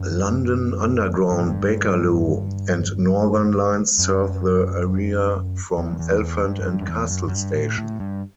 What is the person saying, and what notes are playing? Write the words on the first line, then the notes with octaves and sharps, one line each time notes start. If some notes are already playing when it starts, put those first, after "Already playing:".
London Underground Bakerloo and Northern lines serve the area from Elephant and Castle Station.
Already playing: F#2
G2
A2
G2
F#2
E2
E2
E2
G2
F#2
G2
F#2
E2
F#2
F#2
G2
A2
A2
G2